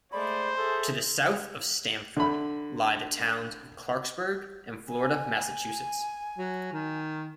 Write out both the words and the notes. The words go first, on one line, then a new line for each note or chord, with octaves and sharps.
To the south of Stamford lie the towns of Clarksburg and Florida, Massachusetts.
G#3 A3 C5 D5 B5
G#4 A4 E5 C6
D3 B5
G#5
F#3
D#3